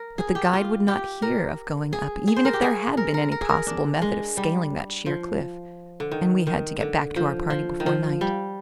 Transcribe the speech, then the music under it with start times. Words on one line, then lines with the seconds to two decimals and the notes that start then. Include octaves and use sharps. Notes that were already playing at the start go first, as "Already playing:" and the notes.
But the guide would not hear of going up, even if there had been any possible method of scaling that sheer cliff, and we had to get back to our party before night.
Already playing: A#4
0.18 G#4
0.35 G4
0.53 F4
0.88 G4
1.22 A#4
1.93 G#4
2.28 G#4
2.36 C5
2.45 A#4
2.53 G4
2.62 G#4
2.97 A#4
3.14 A#4
3.32 A#4
3.41 G#4
3.49 A#4
3.67 D4
4.02 G#3
4.37 G3
5.06 F3
6.00 D3
6.11 D#3
6.47 D#3
6.81 D3
7.16 F3
7.50 F3
7.80 D#3
7.86 F3
8.21 G3